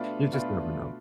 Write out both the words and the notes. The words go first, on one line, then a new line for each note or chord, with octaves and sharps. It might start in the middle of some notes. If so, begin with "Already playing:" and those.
you just never know.
Already playing: B2 A3 D4 F4 B4
B2 A3 D4 F4 B4